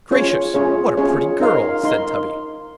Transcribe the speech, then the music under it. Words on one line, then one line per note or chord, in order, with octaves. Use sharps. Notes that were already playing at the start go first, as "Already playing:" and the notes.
'Gracious! what a pretty girl!' said Tubby.
C#4 F4 G#4 C#5
C#4 F4 G#4 C#5
C#4 F4 G#4 C#5
D#4 A#4 F5 C6
D#4 A#4 F5 C6